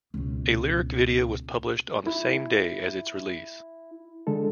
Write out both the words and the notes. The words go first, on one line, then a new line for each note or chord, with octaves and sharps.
A lyric video was published on the same day as its release.
C#2 B2
E4
D3 G#3 A4